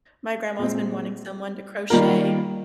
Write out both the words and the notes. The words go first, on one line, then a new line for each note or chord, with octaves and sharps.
My grandma's been wanting someone to crochet,
A#2 G#3 C4
D#3 G3 A#3 F4 A#4